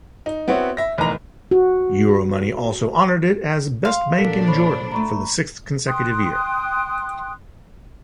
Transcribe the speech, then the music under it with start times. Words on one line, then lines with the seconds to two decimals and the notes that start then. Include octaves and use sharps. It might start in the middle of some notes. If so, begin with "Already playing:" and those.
Euromoney also honored it as "Best Bank in Jordan" for the sixth consecutive year.
0.26 D#4
0.48 B3 C4 E4 F#4 C#5
0.77 E5 A#6
0.98 F1 E2 A2 D#3 D#4 A#5
1.51 F#4
3.85 F5 C6
4.18 A#2 D4 A4 A#4 F#5 B6
4.47 C5 C#5 B5
4.91 D2 A3 A#5 B5 C#6
5.86 G5 C6 D#6 F#6